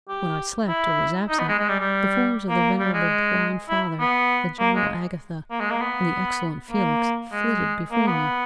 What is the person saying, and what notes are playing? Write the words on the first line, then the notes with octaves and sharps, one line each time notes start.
When I slept or was absent, the forms of the venerable blind father, the gentle Agatha, and the excellent Felix flitted before me.
G4
E4
D#4
B3
G#3
G#3
G3
G3
A#3
G3
G#3
E4
B3
A#3
G#3
A#3
G#3
A#3
B3
A#3
G#3
A#3
B3